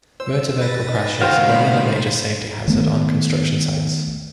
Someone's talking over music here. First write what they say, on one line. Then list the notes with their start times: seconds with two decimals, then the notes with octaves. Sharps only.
Motor vehicle crashes are another major safety hazard on construction sites.
0.20 C5 E6
0.61 B4 A6 A#6
0.89 D#4
1.22 C#2 D#3 F#4 C5 F5 G5
1.49 B3 C5 B5
2.68 D#3 A3 B3